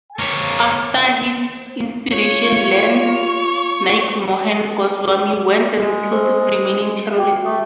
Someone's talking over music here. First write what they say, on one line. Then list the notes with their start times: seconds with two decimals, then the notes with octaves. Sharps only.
After his inspiration Lance Naik Mohan Goswami went and killed remaining terrorists.
0.19 A#3 C#5
2.12 F4 C#5
5.79 G#3
6.12 C5 F6
7.18 F#4 G5 D6
7.44 A3 G5 D#6